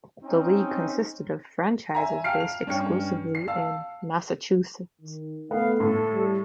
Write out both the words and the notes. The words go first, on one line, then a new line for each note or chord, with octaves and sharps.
The league consisted of franchises based exclusively in Massachusetts.
C4 C#4 D#4
E5 G#5 A#5
F5 G5 A5 F6 C7 D7
F7
G2 C#4 C#5 G5 C#7
C7
F5 A5 E6
D#3
A3 B3 F5
A2 A4
G3